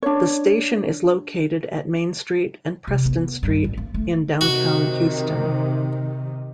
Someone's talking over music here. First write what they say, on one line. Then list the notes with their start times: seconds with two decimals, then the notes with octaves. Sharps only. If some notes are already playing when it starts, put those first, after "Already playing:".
The station is located at Main Street and Preston Street in Downtown Houston.
0.03 D4 C#5
2.87 C3
3.05 B3
3.43 G2
3.64 A1
3.77 A#3
3.94 A3
4.41 C3 D#3 F#4